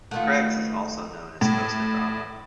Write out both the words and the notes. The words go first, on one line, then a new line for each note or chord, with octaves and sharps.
Creggs is also known as Costa Brava.
D#3 A3 F4 B4 F#5
A2